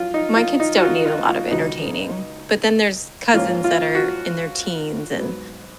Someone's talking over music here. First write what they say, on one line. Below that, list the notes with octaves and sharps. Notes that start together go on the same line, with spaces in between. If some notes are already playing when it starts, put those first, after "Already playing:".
My kids don't need a lot of entertaining, but then there's cousins that are in their teens, and
Already playing: F#3 C#4 F4
D#4
F4
D#4
F#4
F4
F4
F4
C#2 B2 F#3 D#4
G#2 F3 A#3 C#4 F4
F4
F#4
G#2 F#3 B3